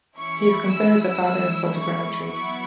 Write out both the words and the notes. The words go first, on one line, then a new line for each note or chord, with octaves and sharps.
He is considered the father of photogrammetry.
E3 C#4 E4 C#6
E6
E3 G#3 C#4 E4
C#6
F#3 B3 E4 C#6